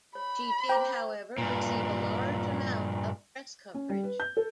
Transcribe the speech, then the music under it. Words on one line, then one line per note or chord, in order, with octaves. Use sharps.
She did however receive a large amount of press coverage.
C#5 B5
C5 G5 A#5 D6
G2 A#2
C#4
G3
B4
G6
A4